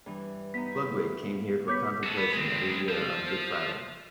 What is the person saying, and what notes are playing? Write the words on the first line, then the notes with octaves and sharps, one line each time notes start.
Ludwig came here for contemplation every year on Good Friday.
G2 E3
B3 D#4 B6
E4
B3 B4 C#5 D6 G6 B6
F#4 A4
B3
G#3 C4
F3